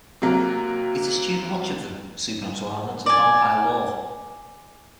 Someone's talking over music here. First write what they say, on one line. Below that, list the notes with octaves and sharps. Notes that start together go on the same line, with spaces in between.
It eschewed much of the supernatural elements of vampire lore.
C3 F#3 A#3
D5 G#5